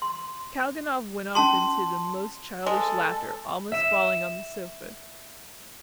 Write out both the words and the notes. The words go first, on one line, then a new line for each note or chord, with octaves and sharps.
Kalganov went off into the most childish laughter, almost falling on the sofa.
C6
C#4 F#4 A5 C6
G#3 A4
E5 E7